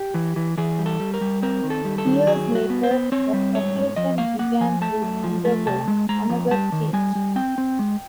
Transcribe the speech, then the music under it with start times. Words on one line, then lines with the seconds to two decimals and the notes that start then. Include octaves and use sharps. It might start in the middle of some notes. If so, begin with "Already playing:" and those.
Years later the population began to undergo another change.
Already playing: G4
0.14 E3
0.36 E3
0.58 E3 G#4
0.79 G3
0.86 A4
1.00 G3
1.14 A#4
1.21 G3
1.42 C4 A#4
1.64 D#3
1.70 A4
1.85 G3
1.98 A4
2.05 D#3
2.27 F#3 G#4
2.48 G2
2.55 F#4
2.70 B3
2.83 C5
2.91 B3
3.12 C4 C#5
3.33 G3
3.54 G#2 C#5
3.76 G#2
3.96 F3 D#5
4.18 A#3 F5
4.39 A#3 F#5
4.61 F3 G#5
4.81 A3 A5
5.03 F#2
5.24 F3
5.45 A3
5.67 C3 A5
5.88 G#3
6.09 G#3 A#5
6.30 F2
6.51 G3 A5
6.72 D#3
6.93 G3 G#5
7.15 G3
7.36 C4 G5
7.58 C4
7.79 G#3